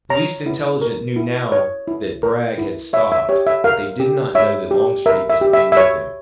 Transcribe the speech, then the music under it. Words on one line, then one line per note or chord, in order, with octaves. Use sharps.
The least intelligent knew now that Bragg had stopped, but they did not know that Longstreet was to be with him.
C#5 A#5
E4
A#4
E4
C#5
E4
A#4
E4
C#5 E5
E5
G4 C#5
E5
A#4 F5
G4
C#5 E5
G4
A#4 E5
E5
G4
E5
E5
C#5